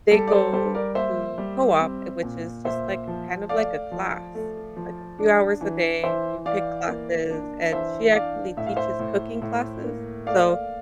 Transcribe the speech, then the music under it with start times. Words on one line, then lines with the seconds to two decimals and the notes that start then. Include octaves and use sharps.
they go to co-op, eh, which is just like, kind of like a class. It's like a few hours a day, you pick classes, and she actually teaches cooking classes, so
0.11 G3 A4
0.28 D5
0.32 A4 C5
0.53 G3 A4 C5
0.74 A#4 D5
0.95 A#3 C5 E5
1.38 G3
1.80 C4
2.23 A#2
2.65 A#2 C5 E5
3.08 F3
3.49 A3 D5 F5
3.92 F3
4.35 A3
4.76 F3
5.19 D4
5.61 E3
6.03 E3 C5 E5
6.45 E3 D5 F5
6.88 A#3
7.30 D4
7.72 E3 C5 E5
8.15 D4 D5 F5
8.57 A2 E5
8.66 F5
8.76 C5 E5
8.99 A2
9.42 A2
9.84 A#3
10.27 A3 D5 F5